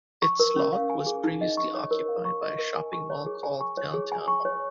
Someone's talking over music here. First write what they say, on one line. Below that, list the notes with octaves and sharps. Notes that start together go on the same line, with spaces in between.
Its lot was previously occupied by a shopping mall called Downtown Mall.
C#6
A#4
C#4
F5
G#5
G#4
D#4
D#5
C#6
C#5
A#4
F5
C#6
D#5
A#4
G#5
C#6
C#5
G#4
G#5
C#6
C#5
G#4
G#5
C#6
C#5